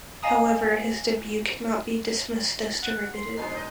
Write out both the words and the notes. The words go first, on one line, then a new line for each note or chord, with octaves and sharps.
However, his debut cannot be dismissed as derivative.
D#5 F5 G#5 A#5 D#6
F#5
C6
F2 B2 G#3 B3 D4 D#4 C7
D#5 G6